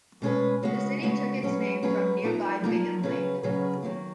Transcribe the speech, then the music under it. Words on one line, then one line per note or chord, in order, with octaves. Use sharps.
The city took its name from nearby Bingham Lake.
B2 G#3 C#4 G#4 B4
C#3 G#3 B3 F#4
C#3 G#3 B3 F#4
F#3 C#4 G#4 B4
F#3 C#4 G#4 B4
F3 A#3 D#4 A#4
F3 A#3 D#4 A#4
C#3 F#3 C#4 G#4 B4
C#3 F#3 C#4 G#4 B4
D#3 F#3 A#3